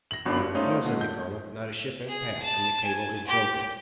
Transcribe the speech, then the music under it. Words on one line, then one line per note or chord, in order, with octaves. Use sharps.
"No," said the colonel; "not a ship has passed; and the cable is broken."
A#6 F#7
G1 F#2 D4 B5 D6
G2
A3 C#4 D#4 F4 C5
A#2 D3 G#3
G6
G#4
A5
G#5
G4